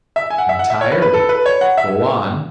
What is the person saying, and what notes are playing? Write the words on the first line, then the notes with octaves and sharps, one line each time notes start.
"Entirely; go on."
E5
G#5
F#5
E5
F#5
E5
C#5
B4
B4
A4
B4
C#5
F#5
E5